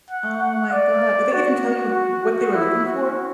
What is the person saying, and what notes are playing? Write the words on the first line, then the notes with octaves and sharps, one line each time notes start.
Oh, my god, did they even tell you what they were looking for?
F#5
F#5
D5
F#4
F#4
F#4
E4
F#4